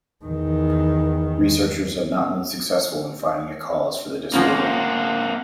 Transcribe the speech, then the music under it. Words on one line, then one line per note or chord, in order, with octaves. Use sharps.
Researchers have not been successful in finding a cause for the disorder.
E2 D#3
F3 A#3 C4 C#4 F#5